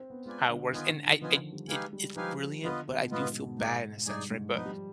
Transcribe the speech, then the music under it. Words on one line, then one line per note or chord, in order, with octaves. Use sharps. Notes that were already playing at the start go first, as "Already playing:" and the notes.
how it works. And I I it it's brilliant, but I do feel bad in a sense, right? But,
Already playing: C4
B3
G#3 F4 B4 D5 G#5
D3
D#3 B3 F4 B4 D#5 G#5
D3
D#3
F3 B3 F4 B4 D#5 G#5
G3
G#3 D#4 G4 B4 F5 G#5
G3
F3 D#4 G4 B4 F5 G#5
D3 B3 F4 B4 D#5
B2
G#2 B3 F4 B4 D#5
B2
B2
G#2 D#4 G#4 D5 G#5
G2 D#4 G#4 D5 G#5
G#2
F3 B3 D#4 B4 D#5
G3